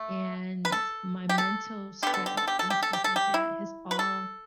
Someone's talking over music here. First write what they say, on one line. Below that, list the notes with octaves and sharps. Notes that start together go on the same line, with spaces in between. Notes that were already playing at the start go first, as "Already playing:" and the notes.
and my mental stress and stuff like that has all,
Already playing: A3
B4
A4
G4
A4
D3 B3 G4
A4
G4
A4
G4
A4
G4
A4
G4
A4
G4
E4
B4
A4